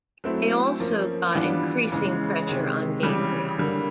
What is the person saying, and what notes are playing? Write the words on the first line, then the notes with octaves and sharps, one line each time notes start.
They also got increasing pressure on Gabriel.
F#3 A3 C4 E4
F3 A#3 C#4
E3 G3 B3 D4 F4
C#3 E3 G#3 C#4
C3 D#3 G#3
C#3 E3 G3
D3 G3 A#3